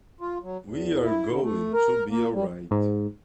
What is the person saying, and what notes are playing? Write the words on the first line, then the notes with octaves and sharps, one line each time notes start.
We are going to be alright.
F4
F#3
E2
E4
D3
A3
A#4
A#3
G3
G#2